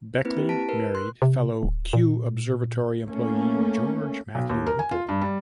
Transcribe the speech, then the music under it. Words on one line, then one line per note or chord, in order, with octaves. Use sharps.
Beckley married fellow Kew Observatory employee George Matthew Whipple.
A#3 C4 E4 B4
G4
E4 A5 B6 D7
A#4 B4
C6 F#6
C3
D1
A#2
A3 A#3 C#4
B1
D#2
A#4
G#5
F4
G2
G3